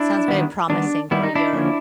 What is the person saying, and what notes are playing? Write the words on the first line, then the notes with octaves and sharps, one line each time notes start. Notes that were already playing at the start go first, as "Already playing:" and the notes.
sounds very promising for your
Already playing: D4 E4
D#3 G3 B3
D#3 G3 B3 D4
D#3 G3 B3 E4
D#4
D4 E4
D3 F3 A#3 C#4